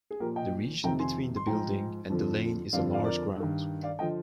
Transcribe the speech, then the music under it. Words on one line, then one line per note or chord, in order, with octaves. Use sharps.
The region between the building and the lane is a large ground.
G#4
A#2 F3 G4 A#4
D#5 G5
F2 C3 D#3 G5 A#5
G#5 C6
C6
G#2 F3 G5 A#5
F2 D3 F3
F2 D3 F3 D5 F5
D5 F5
A#4 D5
G2 D#3
D5 F5
D3 F3 D#5 G5